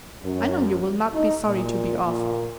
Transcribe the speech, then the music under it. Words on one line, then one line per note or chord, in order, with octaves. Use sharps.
I know you will not be sorry to be off.
F#2
D#4
A#2
A#2